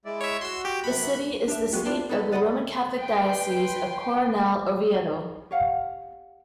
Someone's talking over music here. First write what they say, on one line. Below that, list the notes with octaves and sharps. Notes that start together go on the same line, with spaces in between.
The city is the seat of the Roman Catholic Diocese of Coronel Oviedo.
G#3 E4 D5
C#5 E5
F#4 C6 E6
G4
F#2 C3 F#5 B5
D4 G4 E5
F#3 G#3 B3 F#4 G4
D4 E4 F4 G4 C5 D5
B3 D#4 A4 B4 A5
B4 D5 D#5 F#5 A#5 B5
B4 G5 C6
G4 C#5 F5 F#5